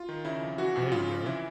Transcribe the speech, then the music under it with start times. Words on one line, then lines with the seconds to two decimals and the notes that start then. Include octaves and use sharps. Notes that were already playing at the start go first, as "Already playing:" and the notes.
There you go.
Already playing: F4
0.09 D#3
0.25 C#3 E4
0.42 F2
0.58 E3 F#4
0.76 F2
0.92 C#3 F4
1.10 F2
1.26 E3 E4